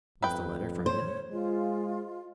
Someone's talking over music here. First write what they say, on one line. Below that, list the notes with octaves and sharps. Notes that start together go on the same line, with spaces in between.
"Was the letter from him?"
F2 B4 G5
C5 C#5
G#3 F4